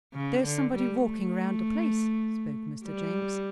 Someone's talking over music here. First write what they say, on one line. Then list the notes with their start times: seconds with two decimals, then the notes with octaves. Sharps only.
"There's somebody walking around the place," spoke Mr. Jenks.
0.14 C#3
0.44 D3
0.74 G3
1.04 A3
2.85 G3